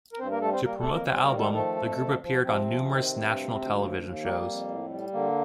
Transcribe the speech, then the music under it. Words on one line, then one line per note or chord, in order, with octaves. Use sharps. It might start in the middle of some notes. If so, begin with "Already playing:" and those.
To promote the album, the group appeared on numerous national television shows.
A#4
G2 C4 C5
A#3 A#4
G3 A3 A4
C4 C5
G3 A#3 A#4
A3 A4
F2
A#3 A#4
G3 C4 C5
A#3 A#4
D#3
A3 A4
F3 A3 A4
F2
F3
F3
C3 F3 C4
F3
D#3
G2
D2
D2
D#2
D#2
G3 A#3
F2
A2
G3
D3 A#3